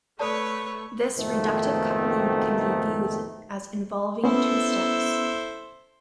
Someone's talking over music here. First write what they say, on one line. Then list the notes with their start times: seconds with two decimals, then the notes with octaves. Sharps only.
This reductive coupling can be viewed as involving two steps.
0.19 A3 A4 B4 C#5 D5 A5 C#6
1.16 F2 G#2 B2 D#3 A3 C4
4.24 B3 C#4 E4 A4 C5